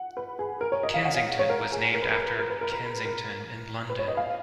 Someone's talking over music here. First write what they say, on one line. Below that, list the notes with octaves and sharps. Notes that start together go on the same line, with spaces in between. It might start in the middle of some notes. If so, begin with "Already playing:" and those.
Kensington was named after Kensington in London.
Already playing: F#5
B4
G#4
A#4
C#5
D#5
F5
F#5
F5
C#5
A#4
G#4
A#4
B4
A#4
A#4
B4
A#4
B4
A#4
B4
C#5
D#5
F5